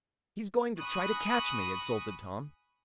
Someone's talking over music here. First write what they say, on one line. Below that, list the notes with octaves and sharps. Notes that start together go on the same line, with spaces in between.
"He's going to try to catch me!" exulted Tom.
G#5 B5 C#6 D#6 F#6 A#6